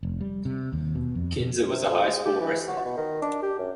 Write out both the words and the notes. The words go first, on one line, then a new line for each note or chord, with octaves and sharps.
Kinser was a high school wrestler.
F1
G3
C3
D#2
B2
F2
B2
C3
F2
G#3
G4
E3
F#4
B2
D#3
D4
G4
F#2